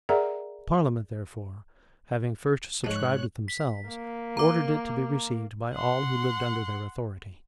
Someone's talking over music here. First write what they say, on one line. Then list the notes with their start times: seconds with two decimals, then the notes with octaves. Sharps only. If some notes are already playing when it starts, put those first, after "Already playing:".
The parliament, therefore, having first subscribed it themselves, ordered it to be received by all who lived under their authority.
0.09 G#4 A#4 D5 E5 F#5 A#5
2.84 G#2 F3 G#3 C#5 F#6
3.48 B6
3.88 A#3
4.37 A#5 D6
5.73 F#5 C6